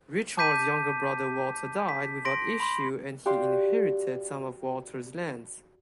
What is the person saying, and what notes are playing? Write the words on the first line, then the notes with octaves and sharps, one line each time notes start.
Richard’s younger brother Walter died without issue and he inherited some of Walter’s lands.
A5 D6 G6 B6 D#7
B6
C6 A#6 D7
B5 C6
F#4 G4 D5 F5 C6